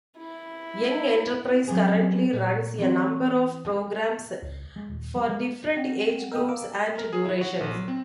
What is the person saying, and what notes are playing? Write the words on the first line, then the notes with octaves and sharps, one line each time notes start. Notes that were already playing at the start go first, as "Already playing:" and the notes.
Young Enterprise currently runs a number of programmes for different age groups and durations.
E4
F#3 G3 C4 C#4 G#4
A#2
E3 C4
C#2
G#3
D#1
G3
G#3
C4 F#5
A#4 D#5 G5 D#6 E6
A#4 F5 D6
A#4
G#4
E4
F#4
A#1
F#3
C4